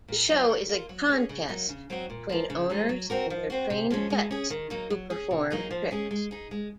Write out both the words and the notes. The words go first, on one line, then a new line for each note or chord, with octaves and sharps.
The show is a contest between owners and their trained pets who perform tricks.
A#2
F#3 C4 F4
D#3
A#3 F4
F#3
C#4 G#4
C#3
F#3 A#3 D#4
C#3
F#3 C4 D#4 F#4
A#2
F3 A#3
C#3
F3 G#3 D#4
F#3
C4 F#4 A#4
F3
C4 F#4
C3
F3 G#3 C#4
G#3
C#4 G#4
D#3
F#3 A#3 D#4
F#3
C#4 G#4
C3
F#3 A#3 D#4 G#4
F3
G#3 C#4 G#4
G#3
D#4 G#4
G#3